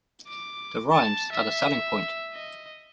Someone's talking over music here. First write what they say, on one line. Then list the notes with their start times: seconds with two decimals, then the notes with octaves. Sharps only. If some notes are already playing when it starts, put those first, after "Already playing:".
The rhymes are the selling point.
0.28 D6
0.92 A5
1.33 E5
2.34 D#5